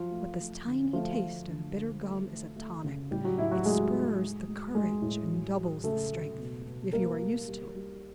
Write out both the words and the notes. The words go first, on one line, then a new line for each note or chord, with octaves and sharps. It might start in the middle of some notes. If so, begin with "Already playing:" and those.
But this tiny taste of bitter gum is a tonic; it spurs the courage and doubles the strength--if you are used to it.
Already playing: F3 F#3 F4
A3
A3
D3
F3 A3 F4
A3
D3
D3
A3
A3
A3
C#3
A2 G3 G4
F#3 F#4
A2 E4
F#3 F#4
G#3 A3 G#4
A3
G#3
G#3
G#3 G#4
A2
F#3
F#3
C#3 A3 A4
F#3
B2
B2
G3 A#3 A#4
G3
G3
G3